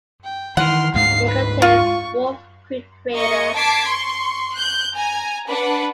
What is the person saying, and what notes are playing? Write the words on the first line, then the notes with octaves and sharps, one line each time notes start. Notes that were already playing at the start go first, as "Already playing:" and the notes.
It contains Wolfe Creek crater.
G5
D#3 E3 F#5 C6 F6
D2 G#2 F5 C7
B4
F4 C#6
A#3 D#5 C#6
A5 D6 G#6 B6 C7 D7
C6 C#6
F#6 G6
G#5 A#5
D4 B4 F#5